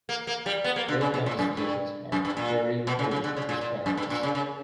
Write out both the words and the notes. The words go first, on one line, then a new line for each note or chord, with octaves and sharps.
Brokaw and his physicians are "very encouraged with his progress".
A#3
A#3
G3
B3
A#3
D3
C#3
B2
A#2
F#2
G2
F#2
G2
A#2
B2
C#3
C#3
D3
C#3
A#2
A#2
F#2
G2
A#2
C#3
C#3